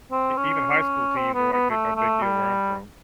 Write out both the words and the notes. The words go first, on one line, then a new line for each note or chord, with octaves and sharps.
e even high school teams are, like, big a big deal where I'm from.
C4
C#4
C4
B3
B3
A3
A3
G3